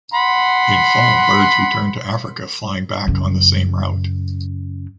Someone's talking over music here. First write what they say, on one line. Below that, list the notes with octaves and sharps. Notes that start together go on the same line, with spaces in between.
In Fall birds return to Africa flying back on the same route.
F#5 B5 C6
F#2 C#3